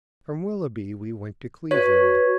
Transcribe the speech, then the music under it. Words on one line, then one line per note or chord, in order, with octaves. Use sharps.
From Willoughby we went to Cleveland.
F#4 B4 C#5 C#6